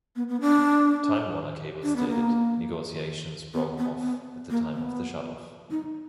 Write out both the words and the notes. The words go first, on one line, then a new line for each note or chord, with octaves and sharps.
Time Warner Cable stated negotiations broke off at the time of the shutoff.
B3
B3
D4
D4
B3
A#3
B3
B3
B3
A#3
B3
D#4